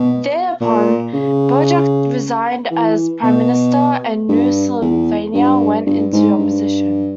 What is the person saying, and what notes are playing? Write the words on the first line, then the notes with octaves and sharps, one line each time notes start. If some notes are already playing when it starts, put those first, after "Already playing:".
Thereupon, Bajuk resigned as Prime Minister and New Slovenia went into opposition.
Already playing: B2
A#2
C#3
E3
B2
G2
E2
G2
G2
G#2
G2